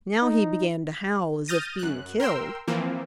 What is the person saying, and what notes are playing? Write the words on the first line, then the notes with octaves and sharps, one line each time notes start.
Now he began to howl as if being killed.
D#4
D#6 F6 G6 A6 A#6 D#7
F#2 F#6
A#4 G5 C6 E6
E3 F3 A#3 C4